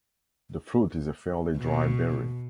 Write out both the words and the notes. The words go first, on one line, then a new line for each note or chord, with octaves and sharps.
The fruit is a fairly dry berry.
B2